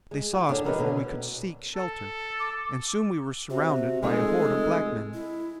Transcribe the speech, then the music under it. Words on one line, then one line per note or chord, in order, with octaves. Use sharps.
They saw us before we could seek shelter, and soon we were surrounded by a horde of black men.
G#3
F#4
D3 D#3 C#4 D4
E3 G3 A#4 B4 C#5 D#5
B2 D3 C#4 D4
A4
D6
C3 F#4
F1 G#3 A4
E4